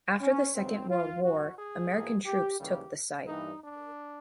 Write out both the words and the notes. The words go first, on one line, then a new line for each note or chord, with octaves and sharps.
After the Second World War, American troops took the site.
C#4
D#2 C#3 F#3 B3 C4
F4
A1 G2 E3 F#4
G#4
A2 F3 A#3
G4
D#2 C#3 E3 G3 A#3 G4
G2 E3 G3 A#3 D#4
D4